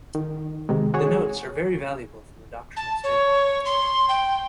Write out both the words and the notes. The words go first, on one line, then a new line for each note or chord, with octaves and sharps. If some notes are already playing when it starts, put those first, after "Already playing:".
The notes are very valuable from a doctrinal standpoint.
D#3
C3 D#3 G#3
F#4 G#4 C#5
A5
C#5
C6
G5